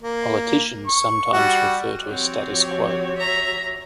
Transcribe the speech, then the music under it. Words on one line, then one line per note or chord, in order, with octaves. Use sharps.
Politicians sometimes refer to a status quo.
A#3
C#6
G3 F#4
F3 C4 F#4 G4 C#5
E5 A#5